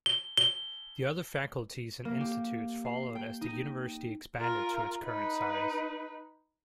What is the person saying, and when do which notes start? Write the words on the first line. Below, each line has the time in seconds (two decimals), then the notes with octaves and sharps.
The other faculties and institutes followed as the university expanded to its current size.
0.06 G7
0.37 G7
2.05 A#3
2.21 G4
2.85 C7
3.15 G5
3.41 D#4
4.36 F4 A#4
5.05 D#4 B4